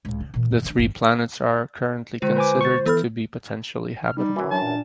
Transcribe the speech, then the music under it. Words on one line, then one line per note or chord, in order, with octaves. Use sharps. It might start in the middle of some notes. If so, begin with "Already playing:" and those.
The three planets are currently considered to be potentially habitable.
C#2 A2
C#3
A#2 E3
F#2 D#3
C#4 D4
G1 D#2
D3 G#3 F4 C5
B4 G#5 D6
C#6 A6
E3 B3 A4 B5 F6
F6
G3 D#4
F#2 E3 F#4
F#3 D4 A5
A#2